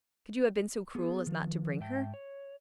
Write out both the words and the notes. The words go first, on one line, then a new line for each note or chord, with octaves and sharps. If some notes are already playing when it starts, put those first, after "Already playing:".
"Could you have been so cruel as not to bring her?"
B3 G#4
D#3 F3
G#2 E5 G5 A5
C#5